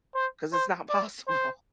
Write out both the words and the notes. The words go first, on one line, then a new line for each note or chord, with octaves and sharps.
'Cause it's not possible.
C5
C5
D5
C5